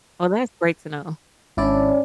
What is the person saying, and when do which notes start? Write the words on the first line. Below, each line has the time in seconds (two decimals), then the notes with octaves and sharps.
Well that's great to know.
1.57 G#1 C#4 D4 E4 D5